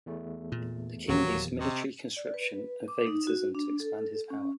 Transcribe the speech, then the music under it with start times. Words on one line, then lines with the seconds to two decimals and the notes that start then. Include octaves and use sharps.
The king used military conscription and favoritism to expand his power.
0.06 E2 A3
0.52 A#2
1.09 D#1 E2 F3 F#3 A#3 G4
1.59 C3 D#5 C#6 E6
2.17 D5
2.34 B4
2.88 D6
3.07 D#4
3.27 F#4
3.55 D4
3.80 A4
4.30 C#4